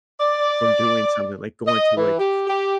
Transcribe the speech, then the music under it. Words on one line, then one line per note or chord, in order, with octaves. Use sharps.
from doing something, like going to, like,
D5
D#5
E3
G4
G4